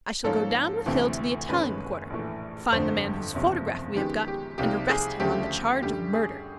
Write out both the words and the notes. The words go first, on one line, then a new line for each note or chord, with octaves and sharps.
I shall go down with Hill to the Italian Quarter, find the man whose photograph we have got, and arrest him on the charge of murder.
G#2 F3 A#3 C#4 A4
D2 C3 E3 A3 C4
F#1 F#2 D#3 G#3 C#4 B4
A#1 A2 E3 A3
G1 F2 D3 C5
F#1 E2 C3 F3
F#2 D#3 G#3 B3 D#4 G4
G4
C2 C3 F3 A#3 D#4 G4
G#4
D2 C#3 F3 A3 G4
F#2 D3 G3 G4
G#4